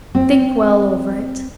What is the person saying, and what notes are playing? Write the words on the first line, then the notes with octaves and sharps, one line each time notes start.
Think well over it.
C4